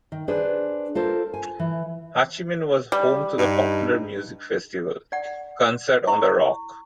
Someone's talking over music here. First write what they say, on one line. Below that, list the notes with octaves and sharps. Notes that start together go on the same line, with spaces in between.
Hachimen was home to the popular music festival, Concert on the Rock.
D#3
D4 G#4 B4 C5
F4 A4 A#4 C5
G#5
E3
G3
G2 D#4
D5 F#5
E4 C#6